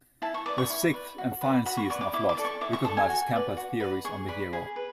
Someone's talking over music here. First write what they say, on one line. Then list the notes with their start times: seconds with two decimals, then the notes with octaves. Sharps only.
The sixth and final season of "Lost" recognizes Campbell's theories on the hero.
0.22 E4 A5
0.34 C#6
0.46 B4 D5 D6
0.58 C#6
0.70 E4
0.94 B4 D5
1.18 F#4
1.41 B4 D5
1.66 F#4 B5
1.77 C#6
1.90 B4 D5 C#6
2.01 D6
2.13 E4 D6
2.29 D6
2.37 A4 D5
2.45 C#6
2.61 E4 D6
2.73 C#6
2.85 A4 D5 A5
2.97 G#5
3.09 F#4
3.33 B4 D5
3.57 F#4
3.80 B4 D5
4.04 G#4 C#6
4.28 B4 D5 B5
4.53 G#4
4.76 B4